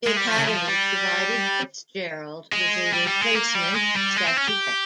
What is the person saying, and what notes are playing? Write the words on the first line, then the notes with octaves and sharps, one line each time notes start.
The Academy provided Fitzgerald with a replacement statuette.
G#3
G3
F3
C#3
F3
G3
G#3
G3
G3
G#3
A#3
G3
G#3
G3
G#3
C4
C#4
G4